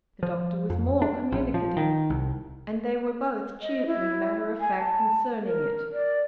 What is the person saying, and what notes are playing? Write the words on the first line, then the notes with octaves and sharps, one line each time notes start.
The doctor was more communicative, and they were both cheerfully matter-of-fact concerning it.
F3
F2
D4
A#1
F3
D#3
C2
D#5
E4
G#5
A5
A#4
D5